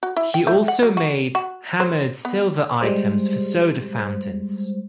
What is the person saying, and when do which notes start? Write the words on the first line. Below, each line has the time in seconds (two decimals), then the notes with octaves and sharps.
He also made hammered silver items for soda fountains.
0.03 F#4
0.17 E4
0.34 G5
0.47 A3
0.68 F#5
0.83 F#3
0.97 F#4
1.35 F#4
1.80 C5
2.25 B3
2.81 G3 G#3 C5